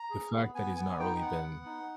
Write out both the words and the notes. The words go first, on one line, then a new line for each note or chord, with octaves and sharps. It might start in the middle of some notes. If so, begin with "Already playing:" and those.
the fact that he's not really been
Already playing: A#5
G#4
B3
B3 G#5
B3 G#5
D#4 G5
B3 F#5
B3
D#4